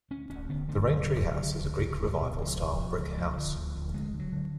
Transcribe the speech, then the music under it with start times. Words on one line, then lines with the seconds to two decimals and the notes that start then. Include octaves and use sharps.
The Raintree House is a Greek Revival style brick house.
0.11 D2 C#4
0.30 D2 C#4
0.49 D3 B3
0.68 D3 A3
0.87 D2 F#3
1.07 D3
1.27 D3
1.45 D3
1.64 C#2 D3
1.83 C#2
2.03 C#2
2.22 B2
2.41 C#2 F3
2.61 B2
2.79 B2
2.98 C#2
3.17 D2 F3
3.38 D3
3.56 D2
3.75 D2
3.94 D3 G#3
4.14 D3
4.19 F#3
4.32 D3